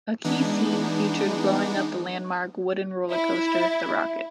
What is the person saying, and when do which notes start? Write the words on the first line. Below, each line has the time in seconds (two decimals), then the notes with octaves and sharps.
A key scene featured blowing up the landmark wooden roller coaster"The Rocket".
0.24 E3 G#3 B3 D4 D#4
3.10 E4